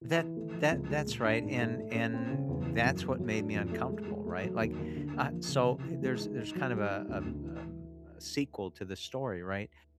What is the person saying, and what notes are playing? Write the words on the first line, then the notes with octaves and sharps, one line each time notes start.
That that that's right, and and that's what made me uncomfortable, right, like, uh, so there's there's kind of a, um um, a sequel to the story, right,
E3
E3
A3
F3
C#2
G#3
A#2
D4
G#2
A3
A3
C#4
C4
C#3
E2
E3
F#2
B3
F#3
D4
F2
A3
G#3
G#3
A3
F#3
D#2
D#2
D3
A#3
F3
C#3
C3
E3
G#3
D#4
D#4
F#3
G3
D#4
D2
D2
E3